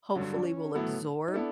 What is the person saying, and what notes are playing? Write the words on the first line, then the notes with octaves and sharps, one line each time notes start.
hopefully will absorb
G2 D3 F#3 C#4
D4
C#4
A2 F#3 B3 E4 A4
D#4
B3 D4 E4 A4